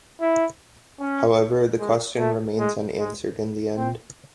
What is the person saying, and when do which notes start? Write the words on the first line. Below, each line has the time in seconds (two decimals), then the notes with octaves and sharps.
However, the question remains unanswered in the end.
0.21 E4
1.00 C#4
1.80 G#3
2.18 A3
2.59 G#3
2.99 G#3
3.77 C4